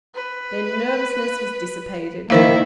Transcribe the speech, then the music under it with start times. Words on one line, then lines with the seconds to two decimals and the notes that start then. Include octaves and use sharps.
Their nervousness was dissipated.
0.15 B4
2.30 D#3 A#3 E4 B4 C5 F5